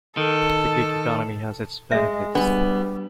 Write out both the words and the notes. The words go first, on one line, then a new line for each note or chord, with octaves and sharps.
The gig economy has its benefits.
D#3 A4
G#3 E5
G3 B3 D4